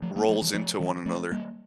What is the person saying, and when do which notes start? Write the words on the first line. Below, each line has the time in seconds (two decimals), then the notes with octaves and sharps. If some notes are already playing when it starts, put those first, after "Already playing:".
rolls into one another.
0.02 F3 A3
0.16 G3 A#3
0.29 F3 A3
0.42 E3 G3
0.54 F3 A3
0.80 E3 G3
1.06 F3 A3
1.32 G3 A#3